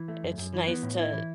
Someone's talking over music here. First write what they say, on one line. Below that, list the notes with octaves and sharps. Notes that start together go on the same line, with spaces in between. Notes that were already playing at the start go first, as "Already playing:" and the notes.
It's nice to
Already playing: E3
A3
F#2
F#2
E3
B3
A2
E4
E3